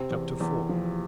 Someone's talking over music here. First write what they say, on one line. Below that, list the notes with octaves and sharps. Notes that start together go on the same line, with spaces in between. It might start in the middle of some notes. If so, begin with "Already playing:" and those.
Chapter IV.
Already playing: C3 C4
E2
E2
F3